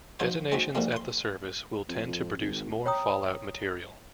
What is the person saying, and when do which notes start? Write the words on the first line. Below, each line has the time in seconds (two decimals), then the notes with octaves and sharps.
Detonations at the surface will tend to produce more fallout material.
0.19 F3 D#4 F#4 C5
0.52 G#3 C4 D#4 F#4
0.75 G#2 E3 F3 G3 G#3 A#3
0.92 B5 C6
1.89 F2
2.08 F2
2.41 G#1
2.86 C#5 G5 A#5 D#6